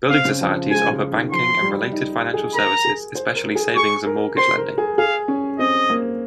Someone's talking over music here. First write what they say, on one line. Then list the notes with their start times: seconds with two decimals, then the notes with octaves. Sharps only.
Building societies offer banking and related financial services, especially savings and mortgage lending.
0.10 C4 F5
0.25 C#3
0.41 F3
0.71 G#3 G#5
0.91 C#3
1.12 D#3
1.32 F3 C6
1.62 G3
1.93 D#4
2.14 G4
2.34 G#4
2.54 A#4 A#5
2.85 G#4
3.15 C5
3.35 A#4
3.55 G#4
3.76 G#4 C#6
4.06 A#4
4.37 C5 C6
4.58 A#4
4.78 G#4
4.98 G#4 F5
5.28 C#4
5.59 C4 D#5
5.90 A#3